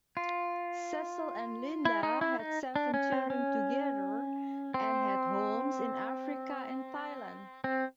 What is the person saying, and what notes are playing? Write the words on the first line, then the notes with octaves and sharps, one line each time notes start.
Cecil and Linda had seven children together, and had homes in Africa and Thailand.
F4
E4
D#4
E4
D#4
D4
C#4
C4
C#4
C4
C4